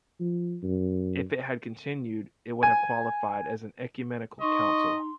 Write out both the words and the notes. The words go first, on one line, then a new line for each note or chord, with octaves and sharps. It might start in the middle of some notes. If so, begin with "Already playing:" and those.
If it had continued, it would have qualified as an ecumenical council.
F3
F#2
G#5
D#4 D#5 C6 C#6